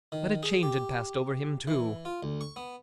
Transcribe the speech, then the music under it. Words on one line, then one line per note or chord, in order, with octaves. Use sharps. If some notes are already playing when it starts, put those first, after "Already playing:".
But a change had passed over him, too.
D#3
G#4
G4
E3
F4
D2
C#6
B3